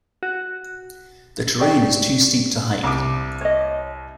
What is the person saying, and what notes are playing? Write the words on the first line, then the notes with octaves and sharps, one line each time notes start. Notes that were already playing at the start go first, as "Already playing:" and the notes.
The terrain is too steep to hike.
F#4
F#4 G4 D5
C2 D6
C#5 D#5